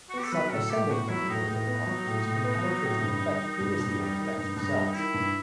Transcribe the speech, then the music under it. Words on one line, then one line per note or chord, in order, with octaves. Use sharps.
Some assembled Metaviridae particles can penetrate and infect previously uninfected cells.
F#4
B3 G4
A4
F#3 B4
A2 A4
A4
A2 G4
B3 F#4
F#3 E4
A2 D#4
A2 D#4
B3
F#3
A2
A2
B3
F#3
A2
G2
G3
D#3
G2
G2
G3
D#3
G2
G2 D#4
G3
D#4
D#3 E4
G2